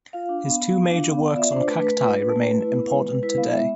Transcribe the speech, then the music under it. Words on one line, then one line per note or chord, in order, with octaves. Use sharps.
His two major works on cacti remain important today.
F4 F5
D4
B3
B3
F4
D4
B3
B3
D5
F4 E5
D5
D4 C5
A3 B4
A3 B4
F4
D4
A3
A3
E4
B3
G#3
G#3
E4 B4
B3 F5
G#3 E5